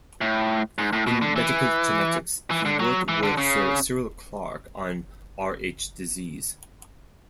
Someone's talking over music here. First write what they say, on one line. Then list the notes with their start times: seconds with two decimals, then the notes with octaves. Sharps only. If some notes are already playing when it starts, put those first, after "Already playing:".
In medical genetics, he worked with Sir Cyril Clarke on Rh disease.
0.21 A2
0.78 G#2
0.93 A2
1.07 B2
1.22 D3
1.36 E3
2.51 E3
2.65 D3
2.80 F#3
3.08 E3
3.23 D3
3.37 C#3